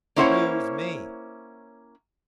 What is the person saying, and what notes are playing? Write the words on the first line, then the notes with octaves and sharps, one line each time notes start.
"Who's me?"
A#3 C#4 E4 C5 C#5 F#5